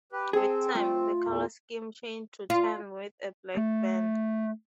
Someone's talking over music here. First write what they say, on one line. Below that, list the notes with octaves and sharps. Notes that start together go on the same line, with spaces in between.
With time, the colour scheme changed to tan with a black band.
G4 B4
C4 G#4 A4
A3 F4
E2 A#2
F4
A3